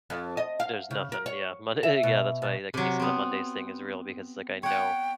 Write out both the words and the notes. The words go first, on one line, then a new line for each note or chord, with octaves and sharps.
there's nothing, yeah, Monday yeah, that's why the case of the Monday's thing is real, because, like, I know
F2
D#5
F5
C#3
A#4
C#5
E5
B2
B2
C3 F#3
B3 C4
C#5 F#5 G5